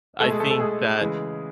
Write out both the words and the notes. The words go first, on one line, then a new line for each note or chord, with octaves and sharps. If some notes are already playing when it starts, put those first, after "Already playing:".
I think that,
B2 G#3 A3 A4
G#3 G#4
A3 A4
A3 A4
G#3 G#4
C#3 E3 G#3